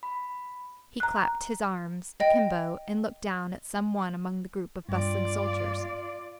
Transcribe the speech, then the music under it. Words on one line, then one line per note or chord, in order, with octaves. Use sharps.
He clapped his arms akimbo and looked down at some one among the group of bustling soldiers.
B5
A#5 F#6
D#5 G5
G2 F4 D5